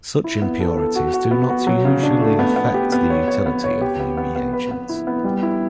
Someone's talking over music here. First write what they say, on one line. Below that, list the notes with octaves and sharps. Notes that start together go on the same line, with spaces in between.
Such impurities do not usually affect the utility of the reagent.
E4
B3
A4
A4
F#4
F#4
B3
F#4
F#3
C#3
D4
A3
B3
B3
G4
B3
C#5
C#5
B3
C#5
G4
B3
B3
B3
B4
B3
E4
B3
G3
E4